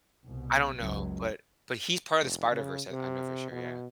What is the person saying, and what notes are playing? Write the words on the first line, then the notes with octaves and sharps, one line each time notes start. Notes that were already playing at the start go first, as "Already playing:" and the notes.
I don't know, but but he's part of the Spider-Verse, I I know for sure, yeah.
C2 B2
F#1 C#2 F#3
F1
C#3
C3
B2